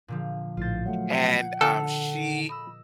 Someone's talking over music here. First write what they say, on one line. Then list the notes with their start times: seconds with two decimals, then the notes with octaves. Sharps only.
and, um, she
0.08 A#2 D3 F3
0.57 A#1 A2 F4 C5 A6
0.86 F#3 A3 F#5
1.61 D3 A4
2.49 D#5 B5 E6